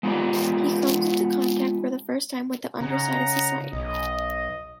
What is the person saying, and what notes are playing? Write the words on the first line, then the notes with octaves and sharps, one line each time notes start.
He comes into contact for the first time with the underside of society.
G#3 B3 D#4 F4 G4 D5
C#3 D#4 F#5 A#5
B1 D#5